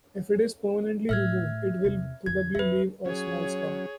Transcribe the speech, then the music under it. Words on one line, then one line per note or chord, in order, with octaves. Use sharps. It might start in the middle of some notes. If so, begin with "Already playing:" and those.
If it is permanently removed it will probably leave a small scar.
A2 A3 E5 F6 G#6
E2 C3
F2 D3 G#6
F2 B4 E5
F#3 C#4 G#4 C#5